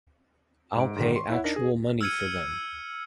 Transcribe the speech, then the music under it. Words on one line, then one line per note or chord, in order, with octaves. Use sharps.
I'll pay actual money for them.
G#2 D7
G#2 D3 D#3
C6 C#6
E4 C#5 E5 F#5
D4 D#4 A#4 A#6
G#4
E6 F6 G#6 C#7 D#7